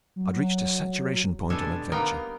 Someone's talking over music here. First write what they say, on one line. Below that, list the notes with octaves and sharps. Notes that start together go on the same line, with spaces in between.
I'd reached a saturation point on adventure.
F#3
B2 G#3 D4 G4 A4 G#5
G3 A#3 B3 D#4 A#4 G5